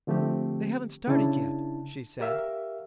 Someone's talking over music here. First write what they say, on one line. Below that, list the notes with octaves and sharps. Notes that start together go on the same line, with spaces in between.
"They haven't started yet," she said.
D3 F3 A3 C4 G4
C#3 D4 E4 A5
G4 A#4 E5 F5